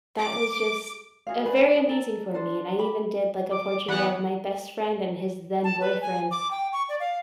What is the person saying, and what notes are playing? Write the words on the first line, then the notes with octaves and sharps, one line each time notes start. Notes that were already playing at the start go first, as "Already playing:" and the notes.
that was just, uh, very amazing for me, and I even did, like, a portrait of my best friend and his then boyfriend
D6
F#4 G#4 F5
D4 G#4 B4
G#4
A4 A#5
D4 A4 C5
G4 B5
D6
E3 B3 F#5
A5
B4
G#5
D6
G5
C#6
D5
F5